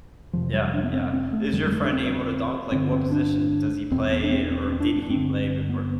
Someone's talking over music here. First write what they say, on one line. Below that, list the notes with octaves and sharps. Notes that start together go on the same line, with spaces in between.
Yeah, yeah. Is your friend able to dunk? Like, what position does he play, or did he play before
F2 C3 F3
G3
D4
B3
C4
C4
A3
F2 D3 G3
G3
A3
D4
C4
G2 D3 C4
C4
D4
E2 B2 C4
B3
D4
C4
D4
C4
C4
D4
D4
G2 D3 C4
B3